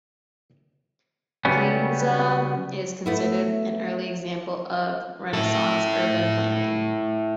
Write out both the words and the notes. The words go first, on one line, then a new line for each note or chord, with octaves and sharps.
Pienza is considered an early example of Renaissance urban planning.
C#3 F#3 G3 B3 C#4
A3 B3 E4
E4 A4